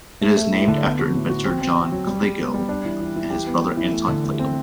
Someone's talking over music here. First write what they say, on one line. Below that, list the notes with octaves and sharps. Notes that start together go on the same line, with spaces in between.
It is named after inventor John Kliegl and his brother Anton Kliegl.
A3
A3
E4
D3
B3
F#4
A2
F#4
C4
C4
C4
F#3
G3
G3
B3
G3
D4
E3
E3
E3
G4
B3
G4
E3
A3
D3
A3
C4